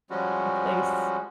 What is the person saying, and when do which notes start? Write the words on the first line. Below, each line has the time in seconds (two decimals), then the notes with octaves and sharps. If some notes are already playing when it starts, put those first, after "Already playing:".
a place,
0.10 F3 G3 G#3 C#4 F#4